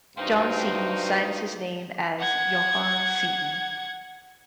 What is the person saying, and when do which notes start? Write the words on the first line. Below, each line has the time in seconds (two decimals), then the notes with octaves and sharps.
John Seton signs his name as "Johan Seton".
0.17 G2 C3 D#4 F#4 F5 G5 C6
2.19 F#5 G#6